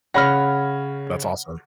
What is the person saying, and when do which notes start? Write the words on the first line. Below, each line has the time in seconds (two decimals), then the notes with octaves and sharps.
That's awesome.
0.14 C#3 C#5 F#5 B5 F6 A#6